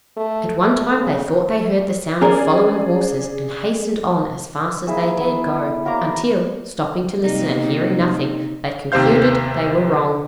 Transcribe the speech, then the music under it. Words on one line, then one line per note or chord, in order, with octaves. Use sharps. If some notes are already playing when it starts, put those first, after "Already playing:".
At one time they thought they heard the sound of following horses, and hastened on as fast as they dared go, until, stopping to listen and hearing nothing, they concluded they were wrong.
A3
A3
C#3
C#4 D4 G#4 A#4 D5
A#3 E4 G#4 E6
B3 E6
F#3 A#3 A#5 D6
C3 A#3 D#4
D#2 C3 G4 C5 F5 G6